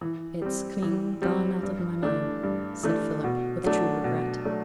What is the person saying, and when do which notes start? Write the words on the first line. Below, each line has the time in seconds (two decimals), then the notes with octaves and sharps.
It's clean gone out of my mind,' said Philip, with true regret.
0.01 E3
0.42 G3 C4
0.82 E3
1.22 G3 C4
1.63 G2
2.03 E3 A3 D4
2.43 G2
2.83 E3 A3 D4
3.24 B2
3.64 F#3 A3 D4
4.04 B2
4.45 F#3 A3 D4